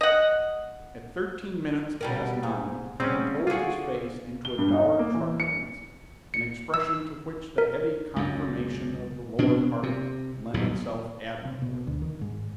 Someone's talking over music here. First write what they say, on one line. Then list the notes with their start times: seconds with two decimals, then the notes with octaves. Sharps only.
At thirteen minutes past nine he composed his face into a dour truculence, an expression to which the heavy conformation of the lower part lent itself admirably.
0.01 D#5 F#5
2.01 B2 G3 A#4
2.43 G#2
3.00 D2 C#3 G3 C4 C#4
3.47 D3 F4 F#4 G#4
4.45 G7
4.59 G2
4.73 D#4
4.99 A#3
5.15 E3
5.40 C#7
6.34 C#7
6.74 E6
7.58 A#4
8.16 C#2 F#2
9.38 B2 C4 D4
9.83 C3
10.54 D#1 B1 E2 G#2
11.45 C3
11.62 B2
11.87 D2
12.02 D#3
12.21 G#2